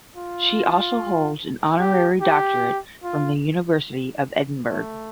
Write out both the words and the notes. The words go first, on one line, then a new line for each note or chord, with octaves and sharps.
She also holds an honorary doctorate from the University of Edinburgh.
F4
G4
G4
F4
A3